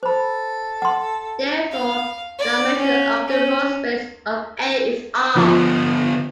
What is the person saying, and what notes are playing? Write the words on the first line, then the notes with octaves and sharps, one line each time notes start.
Therefore, the dimension of the row space of "A" is "r".
A4 C5 B5
F#5 C6
F5
D5
C#4
C#4
D3 F3 B3